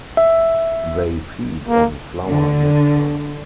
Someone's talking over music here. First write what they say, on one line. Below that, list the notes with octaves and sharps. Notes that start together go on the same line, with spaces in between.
They feed on flower nectar.
E5
A#3
D3